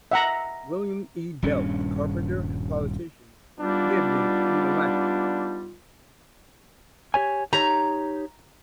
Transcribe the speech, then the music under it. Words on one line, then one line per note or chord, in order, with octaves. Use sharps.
William E. Beltz, carpenter and politician, lived in Unalakleet.
E5 F#5 A#5
D#1 G2 C#4
G3 B3 D4 D#4 F4
G4 C#5 G#5
D#4 G4 C#5 A#5